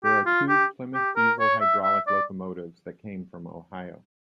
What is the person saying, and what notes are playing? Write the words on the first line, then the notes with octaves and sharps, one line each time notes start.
There are two Plymouth diesel-hydraulic locomotives that came from Ohio.
G4
F4
G4
G4
A#4
C#5
E5
E5
D5